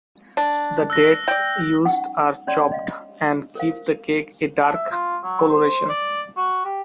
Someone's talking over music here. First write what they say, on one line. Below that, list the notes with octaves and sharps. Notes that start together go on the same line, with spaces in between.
The dates used are chopped, and give the cake a dark coloration.
D4
E6 F#6 A#6
D5 G5
C#4 D#4 F#5 C#6
C#4 C#5 D5 C6
D#5 F5
A#4 C5 F5
D4
E5
F4
F#3
C5
D5
F#4
G4